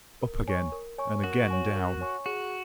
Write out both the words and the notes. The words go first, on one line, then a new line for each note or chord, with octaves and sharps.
Up again, and again down.
A#4
C#5 G#5 C#6
A#4
C#5 G#5 C#6
F#4 A#4
C#5 G#5 C#6
A#4
C#5 G#5 C#6
F#4 G#4